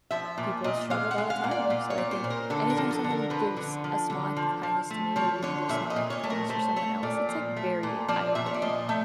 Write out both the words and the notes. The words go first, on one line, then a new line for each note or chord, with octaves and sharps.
people struggled all the time, so I think, anytime someone gives a small act of kindness to me, or you can do a small act of kindness for someone else, it's like very eye-opening.
F3 E5
A#2
A#2 D#5
G#3 F5
F#5
G#3
F5
A#2
D5
A#2
C#5
A#2
C5
A#2
A#4
D3 A4
A#4
F3
A4
D3
A#4
F3 B4
D3
F3
D3
F3
F3
A3
F3 C#5
D3 C#5
A#2 E5
D#5
A#2
C#5
A3
A#4
A3 C5
A3 C#5
A#2 D5
F3
A3
A#2
F3 D5
A#2 E5
C#5
D5
F3 D#5
A3 E5